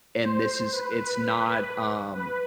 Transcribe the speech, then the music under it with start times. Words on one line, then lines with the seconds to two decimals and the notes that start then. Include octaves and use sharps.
and this is it's not, um,
0.24 C5
0.72 B4
2.15 B4